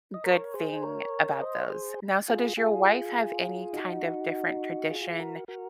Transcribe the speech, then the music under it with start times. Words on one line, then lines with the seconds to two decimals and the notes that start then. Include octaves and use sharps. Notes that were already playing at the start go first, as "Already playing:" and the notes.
good thing about those. Now, so, does your wife have any kind of different tradition
0.14 D#5
0.24 A#4 C#5
0.54 G#4 C5
0.83 A#4 C#5
1.40 C5 D#5
1.62 C#5
1.69 G#4 C5
2.28 F4 G#4
2.57 F4 G#4
3.73 D#4 F#4
4.90 F4 G#4
5.01 F#4
5.11 G#4
5.19 F#4 A#4
5.48 F#4 A#4